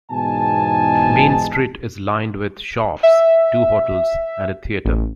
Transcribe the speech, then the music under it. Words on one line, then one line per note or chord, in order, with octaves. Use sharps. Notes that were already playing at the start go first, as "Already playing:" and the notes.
Main Street is lined with shops, two hotels and a theatre.
E2 G#2 B2 D#4 G#5 A5
E5
A1